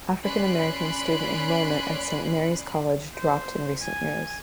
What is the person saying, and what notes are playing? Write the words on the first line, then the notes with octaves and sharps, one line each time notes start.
African-American student enrollment at Saint Mary's College dropped in recent years.
C#4 D5 B5 C6 F#6 D7
C5
G#5